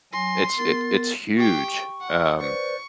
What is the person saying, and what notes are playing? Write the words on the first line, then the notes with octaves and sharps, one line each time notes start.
it's it it's huge, um.
F#3 G#5 C6 A#6
B3 A#4 A6
G4 G5 C#6
F#5
B4 C5 D5 C#6